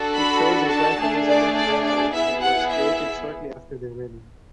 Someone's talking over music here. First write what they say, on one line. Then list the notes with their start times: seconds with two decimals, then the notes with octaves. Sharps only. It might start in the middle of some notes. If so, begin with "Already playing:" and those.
It shows his wife Elisabeth Gerhardt and was created shortly after their wedding.
Already playing: D4 F#4 A4
0.15 B5
0.71 A5
1.00 A3 D4 G#4
1.29 D5
1.57 D5
1.85 D5
2.13 B3 E4 G#4 E5
2.42 F#5
2.70 E5